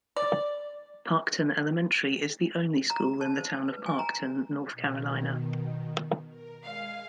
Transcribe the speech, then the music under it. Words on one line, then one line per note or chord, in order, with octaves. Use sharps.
Parkton Elementary is the only school in the town of Parkton, North Carolina.
D5
A#5
A5
C5
B4
G#5
A#5
B2 D#3
A#4
G#3 F5 G#5 F6